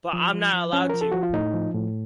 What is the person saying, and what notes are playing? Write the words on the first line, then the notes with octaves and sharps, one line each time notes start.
But I'm not allowed to.
F3
F3
F3
F3 C#4
F3 A#4
A4
F3 F#4
F4
A2 D#4
F3
A2